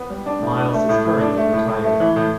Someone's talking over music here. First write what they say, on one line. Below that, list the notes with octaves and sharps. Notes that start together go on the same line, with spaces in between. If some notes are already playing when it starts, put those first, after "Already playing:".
Miles is currently retired.
Already playing: B3
G3
D4
A2
D4
A3
A2
A2
D4
A3
A2
A2
A3
E3
A2